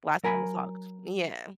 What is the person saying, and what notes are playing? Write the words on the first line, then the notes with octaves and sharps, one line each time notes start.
last time we talked. Yeah.
F#3 A#4 G#5 B5